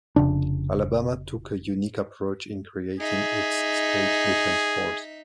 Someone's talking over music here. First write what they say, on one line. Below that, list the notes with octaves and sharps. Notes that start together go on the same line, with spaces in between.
Alabama took a unique approach in creating its state defense force.
F1 C#3 D4
D#4 G#4 E5